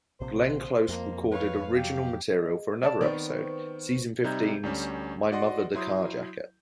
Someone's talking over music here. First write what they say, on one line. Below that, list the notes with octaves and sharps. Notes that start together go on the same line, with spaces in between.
Glenn Close recorded original material for another episode, season fifteen's "My Mother the Carjacker".
A#1 C3 C5
F2 A#3
B4 C#5 F5
F#3 G4 F5
G#4 D#5
D5 A5
D#3 B3 C4 B4 C5 D5 C#6
C3 G3 D#4 A#5 G6 G#6
D2 G3 C#4
F#4 D5 D#5 F#5 C6
F#3 E4 C6 D#6 G6